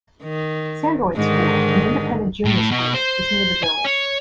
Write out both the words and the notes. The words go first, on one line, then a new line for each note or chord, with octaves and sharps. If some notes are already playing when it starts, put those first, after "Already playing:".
Sandroyd School, an independent junior school, is near the village.
D#3
G#2 D3 D#3
A2
B2
C5
G#5
C#5